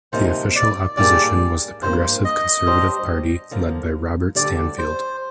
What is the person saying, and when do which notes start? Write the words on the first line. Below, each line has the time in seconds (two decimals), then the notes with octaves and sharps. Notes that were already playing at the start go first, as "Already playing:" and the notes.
The Official Opposition was the Progressive Conservative Party led by Robert Stanfield.
0.13 D2 C3 F3 A#3 D#4 C5
0.56 D5
0.97 G#2 G3 A#3 D4 G#4 D5
1.82 G2 F3 A#3 C5
2.25 D#5
2.67 G3 D4 G4 C5
3.51 D3 F3 A#3
4.35 D2 D3 G3 D4 G4 D5
4.78 C5